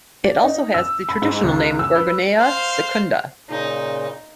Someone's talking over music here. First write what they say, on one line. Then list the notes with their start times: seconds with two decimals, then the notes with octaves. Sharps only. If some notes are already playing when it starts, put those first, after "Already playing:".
It also has the traditional name Gorgonea Secunda.
0.25 D5
0.44 D#4
0.74 E6
1.09 B5
1.22 G#2
1.43 C#2
1.79 E6
1.95 B4
2.39 C5 F5
3.49 A#2 C#3 D#4